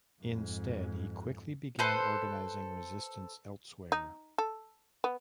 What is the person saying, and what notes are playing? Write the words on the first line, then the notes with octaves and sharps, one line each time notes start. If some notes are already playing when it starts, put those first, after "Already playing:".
Instead, he quickly began organising resistance elsewhere.
F2 G#2
A4 B4 C5
D#4
A4
B3